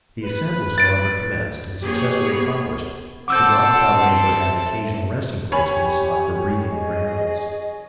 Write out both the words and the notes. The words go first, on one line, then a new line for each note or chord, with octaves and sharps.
The ascent was however commenced and successfully accomplished; but, not without labor and an occasional resting-place being sought for breathing their animals.
B4
A6 D7
A#3 G4 G#4 C#5
B3
C4 A4 F#5 D6 E6 G6
E5
G4 C#5 G#5 B5
G#4 D#5